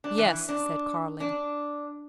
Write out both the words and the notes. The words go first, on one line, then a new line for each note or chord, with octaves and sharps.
"Yes," said Carling.
D4
E3
D4
D4